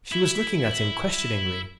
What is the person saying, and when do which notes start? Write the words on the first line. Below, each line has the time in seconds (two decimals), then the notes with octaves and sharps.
She was looking at him questioningly.
0.12 E4